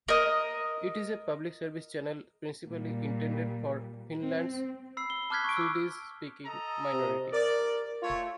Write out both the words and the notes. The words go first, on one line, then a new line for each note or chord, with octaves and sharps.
It is a public-service channel principally intended for Finland's Swedish-speaking minority.
A#4 D#5
A#2 G3
C4
B5 E6 C7
G7
A5 D6 F6 F#6 G#6 B6
C#6 D7
D6 E6
A4 D#5 A#5
C3
A#4 D5
A3 F4 C#5